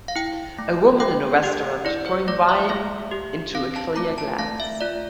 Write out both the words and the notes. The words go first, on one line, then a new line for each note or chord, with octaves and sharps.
A woman in a restaurant pouring wine into a clear glass.
F5
E4 G5
A3
A3 G5
G4
E4 D5
C5
A3 D5
E5
A3 E5
G4
C4 F5
A5
A3 A#5
A5
A3 F5
E5
F4 D5